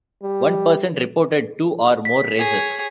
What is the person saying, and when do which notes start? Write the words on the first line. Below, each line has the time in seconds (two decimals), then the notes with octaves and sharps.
One percent reported two or more races.
0.23 G3
2.05 B6
2.38 G#4 C#5